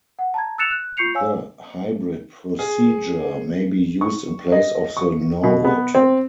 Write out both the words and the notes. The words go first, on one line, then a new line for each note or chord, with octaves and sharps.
The Hybrid procedure may be used in place of the Norwood.
F#5
A5 A#5 G#6
E6 F#6 A6 C#7 E7 F7
F#6
F4 C#6 G6 C7 C#7 F7
C#5 F5 G#5 E6
G#4
C#6
D#5
C#6
B2
B3
C4